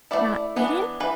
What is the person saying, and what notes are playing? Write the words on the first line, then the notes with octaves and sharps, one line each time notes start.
Not eat it?
A3 C4 E4 D5
E3 B3 D4
E3 B4